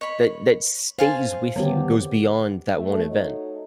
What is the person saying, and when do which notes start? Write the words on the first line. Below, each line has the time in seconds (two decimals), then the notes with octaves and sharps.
That that stays with you, goes beyond that one event,
0.01 C#5 D#5 B5
0.99 C5 F5 G#5 A5
1.56 D3 D#3 G3 B3 G4 C#5
2.76 A3
3.09 D#4 F#4 A4 C#5 D#5